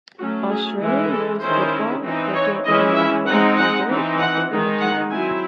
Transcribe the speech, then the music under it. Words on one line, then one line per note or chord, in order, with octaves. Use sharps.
Australian rules football, cricket and netball are all very popular in the town.
F#3 A3 C#4 F#4
G#4
E3 G#3 C#4 E4
A4
D#3 G#3 C#4 E4 C5
E3 C4 D#4
C#5
E3 G#3 C#4 E4 D#5
E5
G#3 C4 D#4 F#5
F#5
E3 C4 D#4
F#5
D#3 G#3 D#4
F#5
F#3 C4 E4 G#5